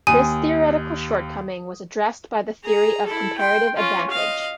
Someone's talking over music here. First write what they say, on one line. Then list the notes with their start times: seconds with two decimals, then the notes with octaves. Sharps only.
This theoretical shortcoming was addressed by the theory of comparative advantage.
0.07 D#2 G#5 D#6 D#7
2.64 G#4 A#5
3.06 E4 A4
3.38 G5 C6
3.77 C#4 F4
4.11 D#5 F5